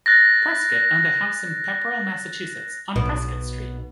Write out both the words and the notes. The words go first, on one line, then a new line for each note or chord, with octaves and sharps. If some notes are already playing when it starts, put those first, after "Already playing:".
Prescott owned a house in Pepperell, Massachusetts, on Prescott Street.
F#6 A6 A#6
B1 B2